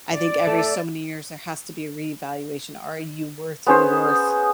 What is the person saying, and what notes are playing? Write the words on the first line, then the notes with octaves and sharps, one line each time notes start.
I think every, so many years there has to be a reevaluation Are you worth your worth
D5
A3 A4
B3 C#4 G#4 C5